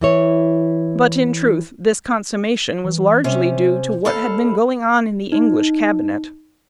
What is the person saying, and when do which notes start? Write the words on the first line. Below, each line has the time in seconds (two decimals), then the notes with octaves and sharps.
But, in truth, this consummation was largely due to what had been going on in the English Cabinet.
0.01 E3 E4 C#5
2.84 E3
3.24 C3 C#4 C5
4.05 D#2 A4 F5 B5
5.32 D#4